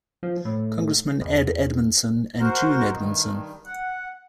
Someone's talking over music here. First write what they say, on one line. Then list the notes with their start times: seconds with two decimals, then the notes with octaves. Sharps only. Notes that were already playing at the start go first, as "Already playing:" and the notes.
Congressman Ed Edmondson and June Edmondson.
0.23 F3
0.45 A2
1.21 E2
2.40 F#4 A#4 C5
2.93 G2 D#3
3.65 F#5